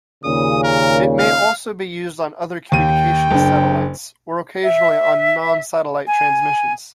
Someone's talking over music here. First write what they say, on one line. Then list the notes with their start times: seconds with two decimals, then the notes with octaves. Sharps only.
It may also be used on other communications satellites, or occasionally on non-satellite transmissions.
0.24 D#2 A#2 C#3 D#6
0.63 A#4
1.19 F5
2.72 D#2 G5 D#7
3.31 F#1 D4
4.63 E5
6.07 G#5